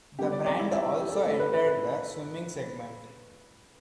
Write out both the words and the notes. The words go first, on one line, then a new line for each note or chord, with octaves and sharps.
The brand also entered the swimming segment.
D3 G3 B3 G4
D5
D5
E4
E4
G4
G4
A4
A2 A3 A4
B4
B4
B4